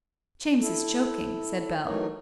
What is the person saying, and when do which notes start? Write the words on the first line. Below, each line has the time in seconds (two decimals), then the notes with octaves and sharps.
"James is joking," said Bell.
0.61 E4 A4
1.87 E3 F#3 A3 D#4 A#4 C#5